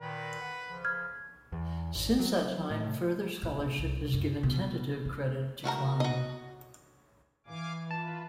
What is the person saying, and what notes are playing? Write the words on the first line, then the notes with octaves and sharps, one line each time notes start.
Since that time, further scholarship has given tentative credit to Klein.
A#2 D#3 B4
F#5
C#3 F3
F6 G#6
E2
G#1
F#3
A2
A#2
D2
C2
F#2
B2
D4
A3 F#4 A#4 A#5
F#4 D#5
E3 F5 G#5 D6
F4 B4 A5